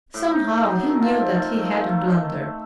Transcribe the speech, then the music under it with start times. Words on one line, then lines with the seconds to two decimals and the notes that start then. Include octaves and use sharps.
Somehow he knew that he had blundered.
0.14 A2
0.31 D#4
0.50 A3
0.66 F#3
0.84 D#3
1.02 F4
1.19 C4
1.36 A3
1.54 D#3
1.71 D#3
1.89 A3